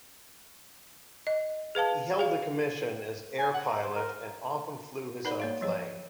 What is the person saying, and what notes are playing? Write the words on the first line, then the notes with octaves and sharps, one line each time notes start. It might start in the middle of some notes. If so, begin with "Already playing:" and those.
He held a commission as Air Pilot and often flew his own plane.
D#5
G#4 B4 F5 A5
G#4 F5
G#5
F#5
A#5
C5
A#4
D#4 A#4 B4 D5 F#5 B5
A#3 C#5 F5
F3 F#3 C#5